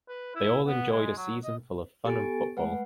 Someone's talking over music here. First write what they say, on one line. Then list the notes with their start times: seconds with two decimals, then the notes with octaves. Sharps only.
They all enjoyed a season full of fun and football.
0.09 B4
0.35 E4
0.66 B3
0.91 G#3
1.17 F#3
1.44 D#5
2.05 B3 G4 A4 G#5 A6 D7
2.57 G#3 A3 B4 F#5